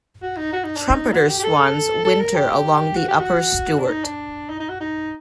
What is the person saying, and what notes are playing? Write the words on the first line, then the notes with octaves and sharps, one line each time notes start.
Trumpeter swans winter along the upper Stuart.
F#4
D#4
F#4
D#4
D4
D#4
F#4
G4
G4
A4
A4
A#4
G4
F#4
G4
F#4
D4
D#4
D4
D#4
D#4
F#4
D#4